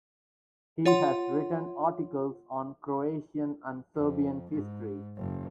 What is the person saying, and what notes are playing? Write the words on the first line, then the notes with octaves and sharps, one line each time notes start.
He has written articles on Croatian and Serbian history.
F4 C#5 F#5 C6
F2
G#2
F#1